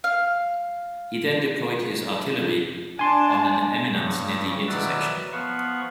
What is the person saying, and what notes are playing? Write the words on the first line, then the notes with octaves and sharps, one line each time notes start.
He then deployed his artillery on an eminence near the intersection.
F5
D4 G#5 A5 C6
G2 C#3 C#6
B2 D#3 F#3 B4 D5 E5
F3 B3 B4 F5 F#5 C#6